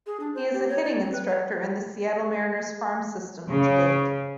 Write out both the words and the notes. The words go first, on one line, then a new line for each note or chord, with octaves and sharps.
He is a hitting instructor in the Seattle Mariners Farm system to date.
G#4
D4
C5
G4
C#5
D5
C4
B4
C#5
C#3